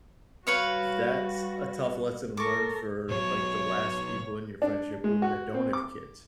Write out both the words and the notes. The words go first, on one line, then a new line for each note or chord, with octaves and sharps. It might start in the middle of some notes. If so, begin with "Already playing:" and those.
that's a tough lesson learned for, like, the last people in your friendship group that don't have kids,
G3 F#4 B4 C#5 F5
A4 A#4 C#6 D6
B2 F#3 C#5
D4
G#3
F#4
C4
D6